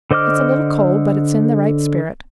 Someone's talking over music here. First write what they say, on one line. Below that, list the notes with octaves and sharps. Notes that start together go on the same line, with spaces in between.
It's a little cold, but it's in the right spirit.
D3 C5 D#5 D6 F6